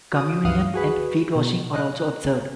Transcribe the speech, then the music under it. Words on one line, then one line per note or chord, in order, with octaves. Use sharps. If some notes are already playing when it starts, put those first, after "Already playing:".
Communion and feet washing are also observed.
F#4 D#6
C#2 G2 E3 F5 F#5 D#6
F#4 G#4 B4
B2
D#5 F#6